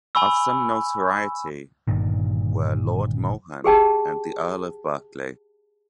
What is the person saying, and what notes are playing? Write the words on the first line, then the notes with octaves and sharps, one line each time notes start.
Of some notoriety were Lord Mohun and the Earl of Berkeley.
G#5 B5 C#6 E6
G1 G2 A#2 D#3
G4 G#4 G5 A5